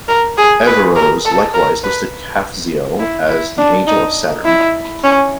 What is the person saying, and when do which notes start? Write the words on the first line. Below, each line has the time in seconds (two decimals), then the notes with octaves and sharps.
Averroes likewise listed Kafziel as the angel of Saturn.
0.08 A#4
0.38 G#4
0.67 B4
0.95 A#4
1.25 A4
1.54 A#4
1.83 B4
2.99 E4
3.28 E4
3.57 D4
3.87 D#4
4.46 E4
5.04 C#4